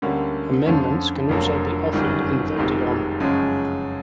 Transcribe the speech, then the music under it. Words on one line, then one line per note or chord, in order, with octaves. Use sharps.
Amendments can also be offered and voted on.
D2 D3 G3 A#3 C#4
F2 D3 F3 A3 C#4
F1 F2 D3 F#3 A#3
G1 F#2 D#3 G3
F1 F2 C3 D#3 G#3
F#2 C#3 F3 G#3 C#4